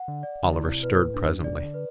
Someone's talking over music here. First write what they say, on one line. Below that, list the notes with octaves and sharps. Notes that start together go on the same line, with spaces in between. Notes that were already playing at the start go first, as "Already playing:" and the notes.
Oliver stirred presently.
Already playing: F#5
D3
D5
D3
E4
C3
B2 B4
A2
D4
G2
B2 D5
D3
B4